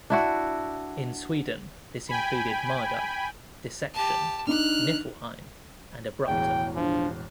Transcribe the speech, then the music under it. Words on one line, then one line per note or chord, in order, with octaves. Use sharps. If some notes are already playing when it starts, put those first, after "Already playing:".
In Sweden, this included Marduk, Dissection, Nifelheim and Abruptum.
D4 E4 F#4
G5 G#5 B5
G4 A5
D4 D#4 F6 F#6
E1 A1 E2 G5
F3 D4